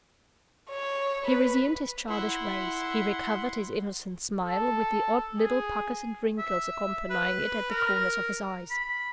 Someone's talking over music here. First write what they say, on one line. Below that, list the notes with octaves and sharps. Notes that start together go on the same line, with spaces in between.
He resumed his childish ways; he recover, his innocent smile, with the odd little puckers and wrinkles accompanying it at the corners of his eyes.
C#5
B4
E4 F#5 C6
A4
G#4
E5
B4
A#4
B5